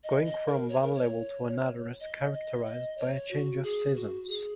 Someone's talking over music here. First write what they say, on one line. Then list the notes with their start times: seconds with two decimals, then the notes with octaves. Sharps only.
Going from one level to another is characterized by a change of seasons.
0.04 D#5
0.25 D#5
0.47 A#4
0.69 C#5
0.82 A#4
0.95 C#5
2.00 D#5
2.33 D#5
2.65 D#5
2.98 C#5
3.31 F#4
3.64 G#4
3.96 F#4
4.28 G#4